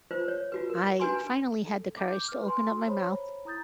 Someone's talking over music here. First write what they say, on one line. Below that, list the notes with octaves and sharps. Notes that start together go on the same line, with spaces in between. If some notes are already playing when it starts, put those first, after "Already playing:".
I finally had the courage to open up my mouth,
F4 B4 C5
C#5
F4 F#4 B4
A#4
D4 F#4 B4 G#5 A#5 C6
A4
D6 G6
B4 F6
G#5 C6
C5 C#5 A#5 B5
E4 A#5 D#6 G6 A6